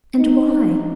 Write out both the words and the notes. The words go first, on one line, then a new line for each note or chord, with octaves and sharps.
And why?
D#4